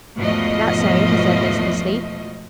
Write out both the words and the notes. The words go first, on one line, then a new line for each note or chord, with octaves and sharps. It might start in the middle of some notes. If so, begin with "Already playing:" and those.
"That so?" he said listlessly.
E2 G#2 B2 F3 A3 D#5